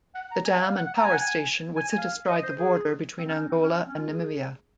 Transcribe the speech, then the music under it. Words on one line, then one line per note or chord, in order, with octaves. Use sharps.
The dam and power station would sit astride the border between Angola and Namibia.
F#5
A#5
G#5
F5
F#5
F#5
A#5
G#5
F#5
G#5
G#5
G#5
F5
D#5
C5
G#4
C4
C#4
D#4
C4
C#4
C4
C#4
F4
G#4